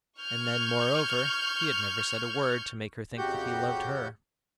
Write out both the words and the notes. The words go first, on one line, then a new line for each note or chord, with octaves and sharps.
And then, moreover, he had never said a word to make her think that he loved her.
C#6 F6 G6 G#6
F2 C#3 F#4 G4 F#5 G6